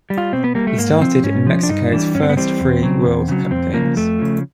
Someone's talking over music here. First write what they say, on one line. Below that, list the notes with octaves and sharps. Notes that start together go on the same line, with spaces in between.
He started in Mexico's first three World Cup games.
G3
F4
B2 C4
B3
G3 A#3
A3
G#2 A#3
F3 C4
G#2 C#4
F3
D4
G2 D#4
E3 G3 D4
G2 C#4
C4
B3
E3 G3 C4
E2
C#3 F#3
E2
C#3 F#3
F2 C4
C#3 F3 A#3
F2 A3
C#3 F3